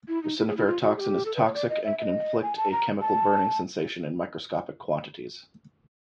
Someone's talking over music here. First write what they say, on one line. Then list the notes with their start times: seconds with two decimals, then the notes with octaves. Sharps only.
Resiniferatoxin is toxic and can inflict a chemical burning sensation in microscopic quantities.
0.08 E4
0.23 D#4
0.38 E4
0.47 G#4
0.57 E4
0.67 F4
0.82 F#4
0.97 G#4
1.00 G4
1.25 A4
1.36 B4
1.45 C#5
1.54 D5
1.69 D#5
1.84 E5
1.98 E5
2.03 D#5
2.42 G#5
2.57 A5
2.72 A#5
3.01 A5